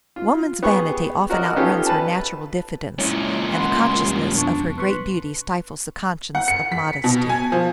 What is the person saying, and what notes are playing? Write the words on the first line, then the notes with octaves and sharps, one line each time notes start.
Woman's vanity often outruns her natural diffidence, and the consciousness of her great beauty stifles the conscience of modesty.
F4
B3 G4 G#4 C#6
F#4 A#4 D5 D#5
B3 C#4 D#4 F4 G4 A4
B4 A5
C#2 A#2 C#4 E4 E5
F#5 B5 C6
D#2 G3
F2 B2 D4 C#6
B4 C6 C#6 F#6
F#5
C#7
B6
B2
G#5
F3